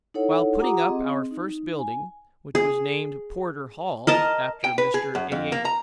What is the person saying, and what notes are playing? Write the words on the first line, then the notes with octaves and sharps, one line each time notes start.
While putting up our first building, which was named Porter Hall, after Mr. A.H.
D#4 E4 A4 C#5 F#5
F4 G4 F#5 A#5 D6 D#6
C4 G#4 D#5
D#4
G#5
G#4
A#4 D#5 A5
G5
B4
G#4
F#2
F2
A#3
A#5